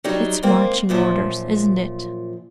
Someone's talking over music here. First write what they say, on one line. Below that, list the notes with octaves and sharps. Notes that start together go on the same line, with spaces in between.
"It's marching orders, isn't it?"
F#3 G3 D#4
G#2 A#3 C4
F#2 A#2 F3